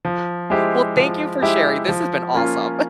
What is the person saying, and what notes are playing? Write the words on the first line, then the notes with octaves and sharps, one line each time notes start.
Well, thank you for sharing, this has been awesome.
F3
G#3 E4 G4 C5
F3
G#3 E4 G4 C5
F3
A#3 C#4 F4